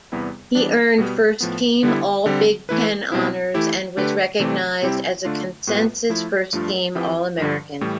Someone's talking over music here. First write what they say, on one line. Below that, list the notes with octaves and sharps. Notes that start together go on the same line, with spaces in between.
He earned first-team All-Big Ten honors and was recognized as a consensus first-team All-American.
E2 C3 G3 B3 E4
E3 G3 B3 D4
B2 G3 B3
A2 F3 B3
D3 G3 B3 E4
D3 G3 C4
E3 A3 E4 B4
B2 G3 C4 E4
E3 A3 E4 G4
D3 A3 D4 G4 B4
C3 E3 A3 C4 G4
C3 G3 C4 E4 G4
D3 A3 D4 F4
A2 G3 B3 F4 B4
F3 A3 E4
G2 F3 A3 D4 F4
F3 C4 E4 G4 B4
G2 D3 F3
A2 E3 G3